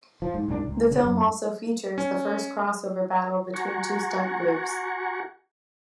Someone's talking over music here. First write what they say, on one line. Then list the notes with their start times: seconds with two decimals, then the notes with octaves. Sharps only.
The film also features the first cross over battle between two stunt groups.
0.22 F3
0.34 G#2
0.48 C2 G#2 E3 D4
0.66 C#2
0.91 C#3
1.03 F#2
1.98 C#4
3.54 F#4 F#5 G#5 A#5 C#6